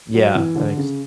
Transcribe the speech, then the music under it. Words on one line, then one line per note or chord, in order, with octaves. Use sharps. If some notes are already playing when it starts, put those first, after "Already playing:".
Yeah, that makes
F#3
E3
D3
C#3